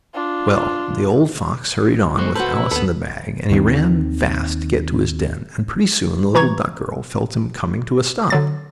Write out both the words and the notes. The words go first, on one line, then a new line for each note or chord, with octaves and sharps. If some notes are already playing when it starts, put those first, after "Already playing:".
Well, the old fox hurried on, with Alice in the bag and he ran fast to get to his den, and pretty soon the little duck girl felt him coming to a stop.
D4 F4
F#2 G#3 B3 F#4 A4 C5
F#4 A4 B4 C5
C3 E4
D#2 B3 A4 B4
D#2 D#3 A#3 C4
E3 A#5 C#6 G#6
D3 F#3 A6